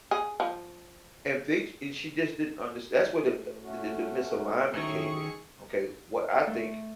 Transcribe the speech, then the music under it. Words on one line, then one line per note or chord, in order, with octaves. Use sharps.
And they j and she just didn't underst that's where the d the d the misalignment came in, okay? What I think
G#4
F3
D#2
A2
A3 C#4 F#4
F#2 A2 D#3 D#4 E4 G#4 A4 C#6
A3